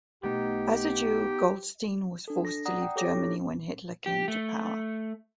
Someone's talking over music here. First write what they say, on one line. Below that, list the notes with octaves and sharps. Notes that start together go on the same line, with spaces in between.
As a Jew, Goldstein was forced to leave Germany when Hitler came to power.
B1 A3 B3 D#4 G4
D4 A4
A#6
D5 F#5 A#5 D#6
G5
G4 A4 C#5 D6 A#6
E4
G4
A3